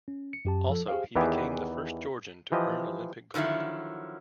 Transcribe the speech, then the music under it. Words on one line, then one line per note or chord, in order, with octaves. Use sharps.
Also, he became the first Georgian to earn Olympic Gold.
C#4
C#7
F#2 G4 A5
F3 A4
G4 G#4 C5 F5
E2 D#3 E3 B3 G4 G#4
E3 F3 G4 D#5
D3 D#3 F3 F#3 E4